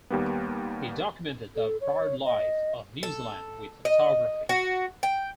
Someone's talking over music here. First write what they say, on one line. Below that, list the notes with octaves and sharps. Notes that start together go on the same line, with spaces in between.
He documented the birdlife of New Zealand with photography.
D#2 G3 A#3 B3
A4
C#5
D#5
A4
D#5
F#4
G5